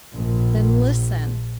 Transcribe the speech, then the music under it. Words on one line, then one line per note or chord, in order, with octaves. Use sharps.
"Then, listen!"
A#1